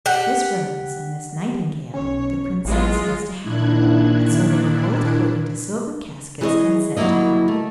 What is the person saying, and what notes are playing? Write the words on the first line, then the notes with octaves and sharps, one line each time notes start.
This rose and this nightingale the Princess was to have, and so they were both put into silver caskets and sent to her.
G4 F#5
B1 C#4 C#5
A1 F#3 G#3 F4
A#2 D#3 D4 E4 F#6 G#6
E3 G#3 G#4 A#4 C#5 D#5
F#3 G3 A#3 E4 D#5
A3